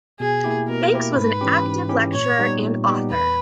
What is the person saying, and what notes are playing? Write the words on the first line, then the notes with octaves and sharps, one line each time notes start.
Banks was an active lecturer and author.
B2 G#4
A#3 E4 G4
B2 A#4
A#3 E4 G4
G#2 B4
E3 G#3 C#4 G4
G#2
E3 G#3 C#4 G4
A#2 C#5
G3 B3 D#4 G4
A#2
G3 B3 D#4 G4
E2 B4